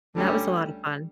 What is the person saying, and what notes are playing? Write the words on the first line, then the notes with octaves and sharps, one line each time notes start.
and that was a lot of fun.
D2 D3 G3 C#4